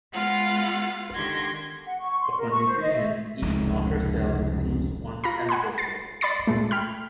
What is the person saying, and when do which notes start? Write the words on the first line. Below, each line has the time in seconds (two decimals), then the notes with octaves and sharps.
Upon division, each daughter cell receives one centrosome.
0.12 G#3 B3 F4 F5 F#5
1.14 D3 D#3 G4 C6 G#6 A#6
1.86 F#5
2.00 C#6
2.20 C6
2.38 A#4
2.51 C#6
2.66 C5
2.81 D#5
2.93 E5
3.42 F1 C#2 A2 D#3
5.24 F4 A#5 B5
5.49 F#5 G#5 B5 C6
5.78 A6 C7
6.21 D5 B5 C6 A6 C7
6.47 A#2 G#3 A3
6.71 G5 B5 F6